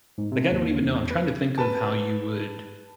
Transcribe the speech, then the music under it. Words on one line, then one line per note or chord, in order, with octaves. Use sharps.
Like, I don't even know. I'm trying to think of how you would
G#2
C3
D#2
E2
B4
B4 A5